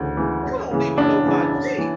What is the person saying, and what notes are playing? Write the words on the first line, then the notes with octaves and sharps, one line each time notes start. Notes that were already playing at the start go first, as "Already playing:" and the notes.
You don't even know my name."
Already playing: D2 C#3 E3
C#3 E3
F#2
C#3 E3
F#2 D4
C#3 E3
F#2
E3